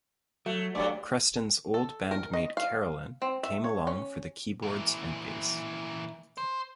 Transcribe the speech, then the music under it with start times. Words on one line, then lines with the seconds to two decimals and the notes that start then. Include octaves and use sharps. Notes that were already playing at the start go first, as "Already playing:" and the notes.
Creston's old band mate Carolyn came along for the keyboards and bass.
0.46 F#3 A3
0.75 G2 F#3 A3 D5
1.74 A4
2.11 A#4
2.33 D#5
2.57 F5
3.22 C4
3.43 E5
3.64 C#5
3.87 C#4
4.62 A#2 E3
6.38 C5